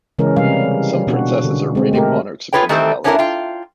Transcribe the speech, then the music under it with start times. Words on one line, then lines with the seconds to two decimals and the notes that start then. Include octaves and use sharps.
Some princesses are reigning monarchs of principalities.
0.19 C#3 E3 G#3 C#4 A#4
0.37 C3 G3 F5
1.07 B2 D4 F#4
1.44 D3
1.75 G#3 C4
1.93 A3 G4 A#4
2.53 F4 G#4 B4 C#5 G5
2.69 D#3 E3 A3 C4 G4
3.04 B3 C#4 D4 E4 G4 A#4
3.19 F4 G5